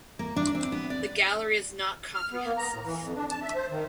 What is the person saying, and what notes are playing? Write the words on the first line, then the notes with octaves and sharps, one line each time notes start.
The gallery is not comprehensive.
A#3
D4
C4
B3
D5
F6
B3
A#3
A#5
A2
E3
F2
D4
A5
E5
C5
D#3